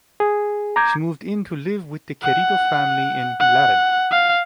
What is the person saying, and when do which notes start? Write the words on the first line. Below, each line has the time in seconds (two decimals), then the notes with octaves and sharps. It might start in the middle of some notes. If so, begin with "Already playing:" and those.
She moved in to live with the Querido family in Laren.
0.20 G#4
0.76 A#5 D6 G6 G#6
2.23 F#5
3.40 F#5
4.11 F5